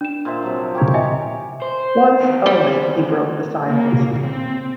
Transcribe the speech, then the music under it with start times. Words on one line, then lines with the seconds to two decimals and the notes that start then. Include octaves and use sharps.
Once only he broke the silence.
0.01 D4 E7
0.25 A#2 C5 E5
0.43 C3 F3 F#3
0.75 G4 A#4 C#5
0.94 D#5 E5 G#5
1.62 C5
2.20 E2 D#3
2.46 G3 C5
3.65 C#3 A#3
4.23 C4